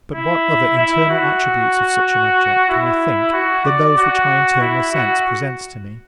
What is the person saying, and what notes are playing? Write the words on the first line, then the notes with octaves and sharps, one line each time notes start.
But what other internal attributes of such an object can I think than those which my internal sense presents to me?
E4
E4
F#4
E4
F#4
D5
F#4
E4
F#4